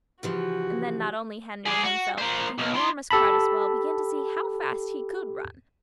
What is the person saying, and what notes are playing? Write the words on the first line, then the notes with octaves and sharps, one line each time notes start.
And then not only Henry himself, but the enormous crowd as well, began to see how fast he could run.
C#3 E3 F3 F#4 G4
G#4 D5
F#4
A#3 C5
B1
E4 C6
G4 A4 A5 B5